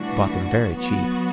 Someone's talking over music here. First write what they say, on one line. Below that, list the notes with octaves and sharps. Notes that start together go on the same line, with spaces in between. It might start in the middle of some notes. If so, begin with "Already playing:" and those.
I bought them very cheap.
Already playing: A2 E3 G3 D4 F#4
F#3 B3 F#4